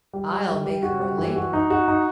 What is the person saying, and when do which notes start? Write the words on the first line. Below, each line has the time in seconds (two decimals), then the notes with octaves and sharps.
"I'll make her a lady."
0.13 G3
0.31 G3
0.48 G3
0.65 G3
0.83 F#4
1.00 G3
1.18 E3
1.36 F#4
1.53 D#4
1.70 F#4
1.88 D#4